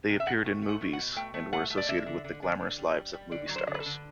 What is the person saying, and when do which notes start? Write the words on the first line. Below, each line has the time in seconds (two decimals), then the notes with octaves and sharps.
They appeared in movies, and were associated with the glamorous lives of movie stars.
0.08 C3
0.20 E5
0.27 C3 F#5
0.44 A3
0.62 A3
0.69 F#5
0.81 B2
0.93 F#5
0.99 B2
1.16 A3 G5
1.34 A3
1.53 A3 F#5
1.70 A3
1.77 D5
1.88 D3 E5
2.06 D3
2.24 D3
2.42 D3
2.60 D3
2.78 G3
2.96 G3
3.13 G3
3.31 D3 D5
3.49 F#3
3.56 C5
3.67 D3
3.74 B4
3.80 A4
3.86 D3